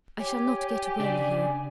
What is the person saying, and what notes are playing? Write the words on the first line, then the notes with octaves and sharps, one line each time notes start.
I shall not get well here.
G4 C#5 G#5
C#3 D4 D5 G#5